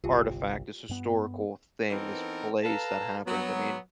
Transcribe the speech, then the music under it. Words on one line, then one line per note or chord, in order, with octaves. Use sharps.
artifact, this historical thing, this place that happened," I mean
G1 C2 F4 G4
G2 B3
E3 B3 C4 D#4 A4 A#4
A4 B4 F5 A5 A#5
F#3 B3